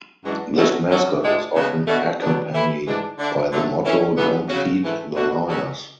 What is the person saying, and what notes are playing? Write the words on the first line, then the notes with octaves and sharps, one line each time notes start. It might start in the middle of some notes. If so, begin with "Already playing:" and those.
This mascot was often accompanied by the motto Don't feed the lawyers.
F#2 E3 G#3 D4 F#4
B2 F#3 A3 C#4 F#4
D3 F#3 C#4 F#4
A2 G#3 D4
C#3 G#3 B3 D4 F#4
B2 A3 D4 F#4
B2 F#3 B3 D4
E3 A3 E4
G#2 E3 G#3 D4
D3 A3 D4
D3 F#3 A3
E3 A3 C#4
F#2 E3 B3
C#3 F#3 C#4 F#4
G#2 E3 A3
B2 A3 D4 F#4
B2 F#3 C#4 F#4